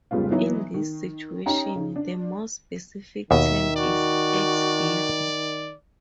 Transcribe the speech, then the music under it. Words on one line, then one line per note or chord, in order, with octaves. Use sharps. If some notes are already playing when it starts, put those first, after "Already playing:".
In this situation, the more specific term is "ex vivo".
F1 G#2 C#3 G3 B3 F4
E3 F#3 B3 D#4
D#3
C#4 D#4 G4 G5 A#5
C#3 D#4
D4
D#2 B2 D#3 E5
F#4 D5